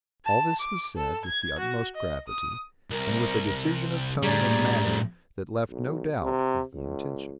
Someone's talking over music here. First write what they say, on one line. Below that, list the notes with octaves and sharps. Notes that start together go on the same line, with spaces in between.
All this was said with the utmost gravity, and with a decision of tone and manner that left no doubt of the intention.
A5
D6
A4
G#6
F#4
D#5
D#6
C2 A#4
A2 G3 G#4 D5 A#5
B1
C3
C#2